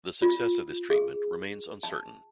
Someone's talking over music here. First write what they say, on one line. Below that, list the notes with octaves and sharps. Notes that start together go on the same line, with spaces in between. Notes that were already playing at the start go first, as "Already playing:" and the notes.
The success of this treatment remains uncertain.
F4
G#4
A5